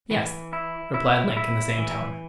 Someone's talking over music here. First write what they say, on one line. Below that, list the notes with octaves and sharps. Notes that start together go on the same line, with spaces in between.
"Yes," replied Link in the same tone.
E3
E4
E4
E4
E3